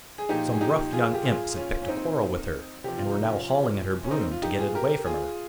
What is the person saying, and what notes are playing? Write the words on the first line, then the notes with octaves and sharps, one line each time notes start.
Some rough young imps had picked a quarrel with her, and were now hauling at her broom to get it away from her.
G#4
A#2 F3 D#4 G4
G#4
D#4 G4
F4 G#4
G4
F4 G#4
C#4 F4
C#4
C4 D#4
C3 F3 G4
F4
D#4
C#4 F4
C#4
C4 D#4
F4
D#4 G4
F4 G#4
G4 A#4
F4 G#4